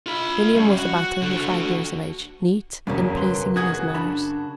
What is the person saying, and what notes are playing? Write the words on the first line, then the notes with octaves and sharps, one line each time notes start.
William was about thirty-five years of age, neat, and pleasing in his manners.
F4 B5
G3 C#4
F#4
D3 F#4
E1 F#2 C#3 G3 C#4
B4 C6
C#4 F#4 G#4 D#6 G#6
D4 A5 B5